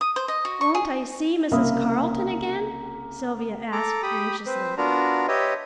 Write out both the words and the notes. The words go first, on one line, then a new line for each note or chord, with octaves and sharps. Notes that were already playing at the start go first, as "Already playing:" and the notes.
"Won't I see Mrs. Carleton again?" Sylvia asked anxiously.
D#6
C5
D#5
F#4
C#6
G#4
C2 C#3 A#3 E5 B5 D#6
A4 A#5 D6
G4 B5 D#6
C4 B4 C5
B3 D4 F4 F#4 A#4 A#5
G4 B4 C#5 D#5 E5